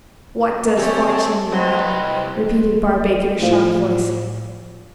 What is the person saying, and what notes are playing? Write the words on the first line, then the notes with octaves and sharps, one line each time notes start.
'What does fortune matter?' repeated Barbaik, in a shocked voice.
C4 G4 A4 C#5 G#5
C2 B4 C5 D#5 G5 C6
A2 F3